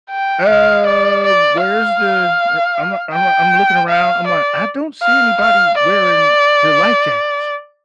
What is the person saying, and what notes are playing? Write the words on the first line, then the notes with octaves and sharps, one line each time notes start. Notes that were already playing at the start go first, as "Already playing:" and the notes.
uh, where's the" e I'm I'm I'm looking around, I'm like, "I don't see anybody wearing their life jackets."
G5
F5
D5
D5
F5
G5
F5
D5
F5
F5
D5